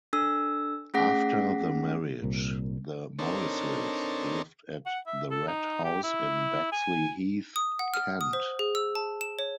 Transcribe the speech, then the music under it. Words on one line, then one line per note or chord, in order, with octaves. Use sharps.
After the marriage, the Morrises lived at the Red House in Bexleyheath, Kent.
D4 A4 E6
A3 C#4 G#4 F#5 A#6 B6
C2 A#2
C4 D4 D#4 A4 A#4 C#5
F#5
E5
A4
D#4
G4
E4
G#5
D#6
F#5
F6
D#6
C5
G#4
E6
A5
E7
C#5